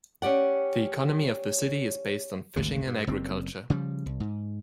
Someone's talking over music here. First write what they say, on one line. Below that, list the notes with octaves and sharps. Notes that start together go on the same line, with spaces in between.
The economy of the city is based on fishing and agriculture.
C#4 G4 D5 F#5
G#1 D2 D3
G2
F#1 F#2 C4
C#3 F3 G3
C2
G#2